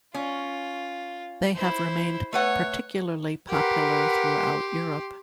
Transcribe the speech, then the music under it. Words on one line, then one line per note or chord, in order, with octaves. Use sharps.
They have remained particularly popular throughout Europe.
C#4 F4
E4 C5
A3 B4 C#5 F#5
G4 A#4 B4 F#5 C6